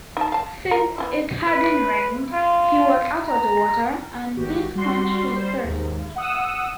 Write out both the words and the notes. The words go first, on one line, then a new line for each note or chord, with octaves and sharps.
Since it hadn't rained, he was out of water and this quenched his thirst.
D#4 A5
F5 A5
A#4
B3 C#4 E4
B4
F4
A#5
G#1 F#4 G4
G3 F#4 C6
G3 C5
D#2 G#2
F#5 D#6 E6